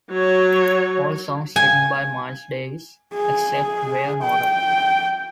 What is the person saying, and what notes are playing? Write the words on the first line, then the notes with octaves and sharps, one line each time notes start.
All songs written by Miles Davis, except where noted.
F#3 C#5
G#5
G#4
G5